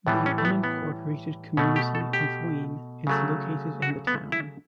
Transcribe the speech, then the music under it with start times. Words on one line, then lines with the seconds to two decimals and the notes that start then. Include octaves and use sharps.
The unincorporated community of Wien is located in the town.
0.07 A2 E3 G3 B3
0.26 C#4
0.38 A3
0.45 B3
0.64 B3
1.57 B2 A3 C#4
1.76 G4
1.95 A4
2.13 G4
3.07 C#3 F#3 A3
3.82 F#4
4.07 B3
4.32 E4